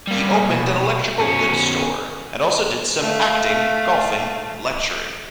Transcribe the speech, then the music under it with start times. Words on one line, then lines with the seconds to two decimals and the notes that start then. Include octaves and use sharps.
He opened an electrical goods store, and also did some acting, golfing, and lecturing.
0.08 G3 A#3
0.51 B2
1.19 B2 C#4
3.01 A3 F5